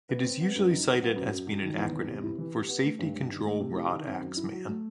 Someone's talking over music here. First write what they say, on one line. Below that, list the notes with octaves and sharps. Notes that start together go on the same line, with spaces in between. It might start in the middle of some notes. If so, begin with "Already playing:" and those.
It is usually cited as being an acronym for safety control rod axe man.
B4
C4
B3
F#2
D#4
F#3
B3
F#2
F#2
F#3
D#3
E2
E2
C3
E4
E3
G4
B3
A3
G2
G2
D#3
A3
C3
E4
D#3
C4
F#2
E4
F#3
A3